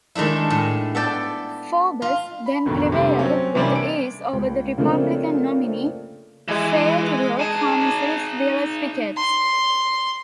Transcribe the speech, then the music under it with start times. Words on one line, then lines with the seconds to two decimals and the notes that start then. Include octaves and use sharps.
Faubus then prevailed with ease over the Republican nominee, Fayetteville pharmacist Willis Ricketts.
0.15 D#3 G#3 A3 D4 E4
0.50 A2
0.95 B3 A4 D5 G5
2.02 F4
2.46 B5
2.65 A1 F2 B2 D3 D#3
2.92 G2 C3 G3 A3 D4
3.19 F#3 C4 C#4
3.55 C3 E3 G3 A#3 C#4 D4
3.76 D7
4.33 C#2
4.78 C#3 F3 A3 A#3 C4 D4
6.48 E3 G#3
7.40 D#4 G#4 A5
9.17 C6